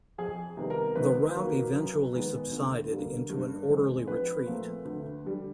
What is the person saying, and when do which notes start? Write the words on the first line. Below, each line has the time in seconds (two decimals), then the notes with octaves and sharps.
The rout eventually subsided into an orderly retreat.
0.18 F2 G#4
0.57 C3 D#3 G3 B3
0.70 A#4
0.96 G#1 B4
1.35 F#2 D#3 F#3 A#3
1.73 F#2
2.13 D#3 G#3 B3
2.51 D2
2.91 D3 G3 A#3
3.30 G2
3.68 D#3 G#3 C4
4.07 A#1 B4
4.46 A#2 F3 A3 C4
4.85 D2
5.24 D3 G3